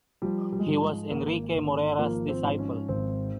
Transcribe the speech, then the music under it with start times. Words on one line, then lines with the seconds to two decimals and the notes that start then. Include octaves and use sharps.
He was Enrique Morera’s disciple.
0.22 F3 G3
0.52 G3
0.59 G#3
0.66 G#2 G3
0.82 G#3
1.10 G#1 A#3
1.54 G#1
1.99 F3 A#3
2.28 C4
2.43 G#2
2.59 C#4
2.88 G#1 C4